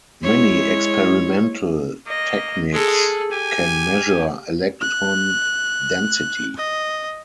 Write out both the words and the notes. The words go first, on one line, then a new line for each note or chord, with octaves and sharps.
Many experimental techniques can measure electron density.
G#3 E4 C#5
A#3 D#5
G#3 G#4 A4
G4 G#5
F#6
D#5